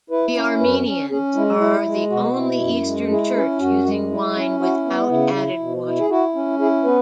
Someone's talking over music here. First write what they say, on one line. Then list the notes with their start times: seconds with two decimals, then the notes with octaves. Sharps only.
The Armenians are the only Eastern Church using wine without added water.
0.10 E4 B4
0.35 C#4
0.60 F#2 B4
0.86 C#4
1.10 C#4 G#4
1.35 G#3 E4
1.60 E4
1.85 G#3
2.10 B2 F#4
2.35 E4
2.60 F#2
2.85 G#3
3.10 E4 G#4
3.35 C#4 B4
3.60 F#2 F#4
3.85 G#3
4.10 E4
4.35 C#4
4.60 E4 F#4
4.85 B3
5.10 C#3 E4
5.34 E4
5.60 B2
5.85 E4
5.99 G#4
6.10 E4 F#4
6.35 C#4
6.59 E4 G#4
6.84 B3 B4